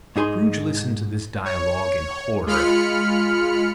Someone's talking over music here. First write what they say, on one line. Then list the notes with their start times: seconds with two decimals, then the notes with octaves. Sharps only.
Scrooge listened to this dialogue in horror.
0.16 G#2 D#4 G#4 A#5 C6
1.45 C#5
2.46 G#3 F4 B5 F6 C#7